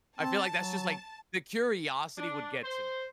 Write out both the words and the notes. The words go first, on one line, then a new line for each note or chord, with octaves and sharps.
I feel like that's just, like, the curiosity would get to me,
C4 A5
F#3
D4
C5